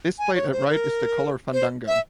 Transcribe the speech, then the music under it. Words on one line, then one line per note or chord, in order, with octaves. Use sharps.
Displayed at right is the color fandango.
G#5
C#5
C5
A#4
C5
E5